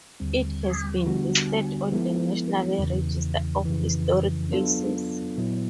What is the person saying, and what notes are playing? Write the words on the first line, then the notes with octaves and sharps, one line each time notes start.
It has been listed on the National Register of Historic Places.
D#2 D3 G3 C4
D3 G3 B3 D4 F#4
F3 G#3 B3 E4 A4
E2 C#3 E3
F2 C#3 E3
F#3 B3 D4 F4 A4
A#2 F#3 B3 E4